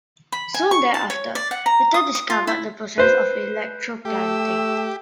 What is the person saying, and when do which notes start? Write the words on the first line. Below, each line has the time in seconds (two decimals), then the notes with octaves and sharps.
Soon thereafter Ritter discovered the process of electroplating.
0.32 B5
0.54 G#5
0.71 C#6
0.94 A5
1.10 C#5
1.35 D5
1.51 F#5
1.66 A#5
1.94 D#6
2.15 D#6
2.30 F4
2.47 E4
2.98 B4 C5
4.05 A3 G4 E6